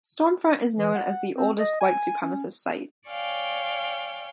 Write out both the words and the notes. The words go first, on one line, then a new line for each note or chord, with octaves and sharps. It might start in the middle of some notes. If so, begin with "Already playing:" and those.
Stormfront is known as the oldest white supremacist site.
E3
F#5
C4
D#5
G#5
C#4
C#5 D5 F5 G5 G#5